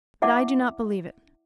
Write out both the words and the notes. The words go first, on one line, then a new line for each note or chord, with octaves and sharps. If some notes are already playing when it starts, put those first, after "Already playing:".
But I do not believe it.
E4 D5 E5 F#5 A5 D6